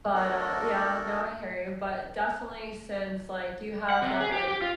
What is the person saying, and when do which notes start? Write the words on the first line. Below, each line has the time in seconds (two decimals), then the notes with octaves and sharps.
But, uh yeah, no I hear you. But definitely, since, like, you have that, like
0.14 A3 B3 D4 F#4 A4 A#4
3.90 F#5
4.02 C3
4.20 G#4
4.32 G4
4.48 G4
4.62 F4